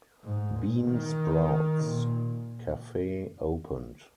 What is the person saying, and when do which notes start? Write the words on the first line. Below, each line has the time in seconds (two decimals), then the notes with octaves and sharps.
Bean Sprouts cafe opened.
0.24 G#2
0.56 A#2
0.87 D#3
1.82 A#2